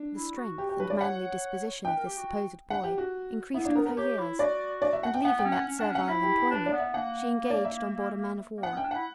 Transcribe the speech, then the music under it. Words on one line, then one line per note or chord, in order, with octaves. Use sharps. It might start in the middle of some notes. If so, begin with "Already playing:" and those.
The strength and manly disposition of this supposed boy increased with her years, and leaving that servile employment, she engaged on board a man-of-war.
Already playing: D4
E4
F#4
G4
G4
B4
D5
C#5 F#5
B4 G5
A#4
G4
F#4
F#4
F#5
G4
F#4
B3 E4
A#3 D4
B3 A#4
A#4
G4 C#5
E4
F#4 D5
D5
E5
F#5
G5
B3 F#5
G5
C#4
F#5
C#4
D4 F#5
C#4
F#5
E4 E5
G4
G4
D4 B4
D5
B3
E5
A#3 F#5
D5
E5
A#3
B3 F#5
C#4 G5
D4
E4 F#5